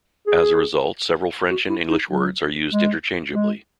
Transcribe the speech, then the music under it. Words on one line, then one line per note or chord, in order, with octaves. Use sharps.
As a result several French and English words are used interchangeably.
G#4
F#4
E4
D#4
F#3
G#3
G#3